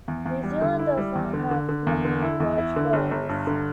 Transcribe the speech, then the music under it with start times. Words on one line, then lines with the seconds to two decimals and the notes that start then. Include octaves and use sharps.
New Zealand does not have many large firms.
0.08 E2
0.26 E2
0.43 G3
0.62 D3
0.79 E4
0.97 G3
1.15 E2
1.33 D3
1.51 D3
1.69 D3
1.87 E2
2.05 D3
2.23 E4
2.40 E2
2.58 E4
2.76 D3
2.93 G1
3.11 G1
3.29 G2
3.47 D3